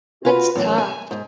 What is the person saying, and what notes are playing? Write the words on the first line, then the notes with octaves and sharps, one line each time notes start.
that's tough.
F4 F#4 B4
F#2 A2 D#3 E3
G#5
G#2